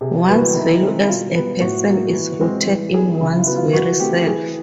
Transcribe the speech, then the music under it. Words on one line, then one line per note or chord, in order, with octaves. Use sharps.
One's value as a person is rooted in one's very self.
C3 G#4
E3 G3 B3 F#4
D#3 E4
G#3 C4
E4
B2 F4
G3 B3
A2 F#4
F#3 A#3
E3
G#3 C4
E3
G3 B3 G#4
C#3 E4
F4
F#3 B3
F4
E3 F#4
A3 C4 G4
E3 G#4